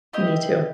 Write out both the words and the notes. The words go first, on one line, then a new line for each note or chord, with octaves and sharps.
Me too.
E4 G4 D#5